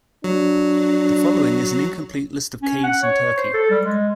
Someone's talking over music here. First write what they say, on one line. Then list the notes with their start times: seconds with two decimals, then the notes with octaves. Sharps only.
The following is an incomplete list of caves in Turkey.
0.24 F#3 D4
2.62 C#4
2.84 F#5
3.03 C#5
3.37 C5
3.54 A4
3.70 G3
3.84 G#3